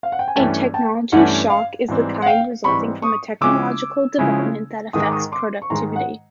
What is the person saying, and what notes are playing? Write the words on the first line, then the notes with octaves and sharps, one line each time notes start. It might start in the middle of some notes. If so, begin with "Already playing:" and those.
A technology shock is the kind resulting from a technological development that affects productivity.
F5
F#5
G5
G#5
G2 E3 A3 C#4 G5 A5
G5 A5
G2 E3 A3 C#4 F#5
F5
G#2 E3 G3 C4
F#5
F5 G5
G#2 E3 G3 C4 B5 C#6
C#6 D#6
C#3 F3 G#3 C#4 E4 D6 E6
C#3 F3 G#3 C#4 E4
G#2 D#3 G#3 D#6
D6
C#6 D#6
C6 D6
C#6
G#2 D#3 G#3 A#5 C6
F#5